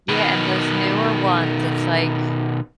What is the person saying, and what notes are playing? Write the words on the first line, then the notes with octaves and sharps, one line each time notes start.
Yeah, and those newer ones, it's like
B2 D#3